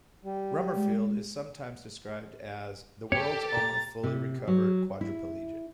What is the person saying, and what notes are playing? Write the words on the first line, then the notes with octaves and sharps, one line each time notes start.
Rummerfield is sometimes described as "the world's only fully recovered quadriplegic".
G3
G#3
G4 A4 C#5
A#5 A6
C3
F#3
E4